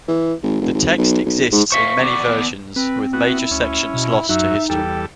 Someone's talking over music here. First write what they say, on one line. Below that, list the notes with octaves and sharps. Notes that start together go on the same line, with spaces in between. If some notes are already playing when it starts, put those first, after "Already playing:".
The text exists in many versions, with major sections lost to history.
E3
G#1
F1
G#1
B1
B1
G#2
C5 E5 F5 C#6 B6
E2 B3 D5
C4 B4
B3 E4 F#4
D2 C#4
B2
F#2 F#3 D#4 E5
E2 G3 A4 G5